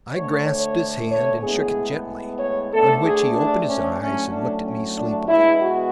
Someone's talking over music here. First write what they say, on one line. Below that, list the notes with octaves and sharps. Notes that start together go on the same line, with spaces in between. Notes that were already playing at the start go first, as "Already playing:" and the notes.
I grasped his hand and shook it gently, on which he opened his eyes and looked at me sleepily.
D2 D3 A3 C#5
C#5
C#5
A2 G#3 B3 G#4
C#5
D2 D3 A3 A4
G#4
D4
C#4
A2 F#3 A3 C#4
D4
C#4
D4
B2 G#3 B3 E4
F#4